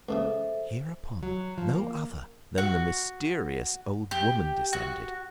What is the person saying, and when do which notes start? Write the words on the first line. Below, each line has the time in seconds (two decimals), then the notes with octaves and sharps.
Hereupon, no other than the mysterious old woman descended.
0.09 C#2 A2 C#3 A4 C5 E5
1.23 F#3
1.58 F3
1.75 A#3
2.58 F#4
4.11 G4
4.73 F#4